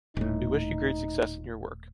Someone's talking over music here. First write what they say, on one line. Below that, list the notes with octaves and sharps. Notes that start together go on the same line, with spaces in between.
We wish you great success in your work.
D#1 A2 D#4